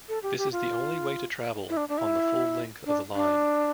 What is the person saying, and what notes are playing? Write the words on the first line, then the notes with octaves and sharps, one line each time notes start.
This is the only way to travel on the full length of the line.
A4
G4
G4
F4
E4
D4
D4
E4
D4
D4